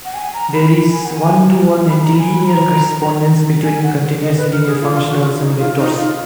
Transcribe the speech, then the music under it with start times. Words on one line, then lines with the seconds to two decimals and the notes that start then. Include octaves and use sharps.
There is one-to-one antilinear correspondence between continuous linear functionals and vectors.
0.05 F#5
0.14 G#5
0.34 A#5
0.53 B5
0.92 G#5
1.06 F#5
1.12 G#5
1.89 B5
2.04 A#5
2.18 G#5
2.33 B5
2.47 A#5
3.64 G#5
3.83 F#5
4.22 D#5
4.37 B4
4.52 A#4
4.66 G#4
4.81 F4
4.95 F4
5.10 F#4
5.24 F4
5.39 D#4
5.59 F4
5.78 D#4
5.97 F4